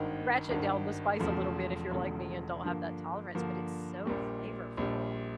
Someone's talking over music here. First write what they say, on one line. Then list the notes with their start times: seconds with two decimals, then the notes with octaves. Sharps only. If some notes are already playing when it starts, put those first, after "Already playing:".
ratchet down the spice a little bit if you're like me and don't have that tolerance, but it's so flavorful.
Already playing: G#1 G2 D#3
0.49 G#1 G2 D#3
1.19 E1 E2 C#3 F3 A3
1.91 E1 E2 C#3 F3 A3
2.63 G2 D3 F3 A#3
3.35 G2 D3 F3 A#3
4.06 A#1 A#2 G3
4.77 A#1 A#2 G3